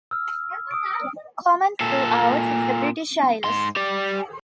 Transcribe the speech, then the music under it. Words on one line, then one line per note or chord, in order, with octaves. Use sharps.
Common throughout the British Isles.
E6 F6
D#6 E6 D7
A#2 A4
G#2 C6
G4 D5